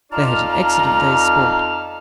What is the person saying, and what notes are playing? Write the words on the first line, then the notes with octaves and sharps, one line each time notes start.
They had an excellent day's sport.
F2 D#4 F4 D5 A5 A#5 F6